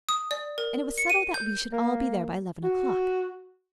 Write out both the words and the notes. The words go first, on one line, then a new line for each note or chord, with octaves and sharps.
And it was settled that we should all be there by eleven o'clock.
D#6
D5
A#4
C#7
D#7
G6
A#3
F#4